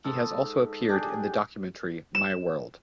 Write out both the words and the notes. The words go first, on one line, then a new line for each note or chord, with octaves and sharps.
He has also appeared in the documentary "My World".
G#2 A4
D4 G4 G#4
E7